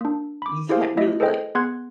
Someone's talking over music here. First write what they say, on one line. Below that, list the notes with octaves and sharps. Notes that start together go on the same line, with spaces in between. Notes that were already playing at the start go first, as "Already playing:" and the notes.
you can't really, like
A#3 D4
B5 D6
E4 G4 G#4 C5 F5
A3 E4 D#5 E5
G#4 A4 B4 C5 D#5 G5
B3 G#4 F#5 C6 F#6 G#6